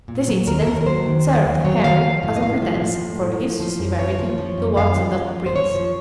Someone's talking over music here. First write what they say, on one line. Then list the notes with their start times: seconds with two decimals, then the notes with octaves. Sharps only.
This incident served Henry as a pretence for his severity towards that prince.
0.08 A#2
0.28 F#3
0.47 D#2 A#4
0.61 A4
0.67 D#2 A#4
0.81 A#4
0.86 F#3 C5
1.06 D#3
1.25 D#2
1.45 D#2
1.65 F#3 C#5
1.84 D#3 F5
2.03 F3
2.23 A2
2.36 D#5
2.42 A2 F5
2.62 F3
2.82 F3
3.01 A2
3.21 A2
3.40 F3
3.60 F3
3.79 F#2
3.99 F#2 C#5
4.19 F3
4.38 F3
4.58 F#2
4.77 F#2 F5
4.96 F3
5.16 F3
5.36 F#2
5.46 C5
5.55 F#2 C#5
5.75 F3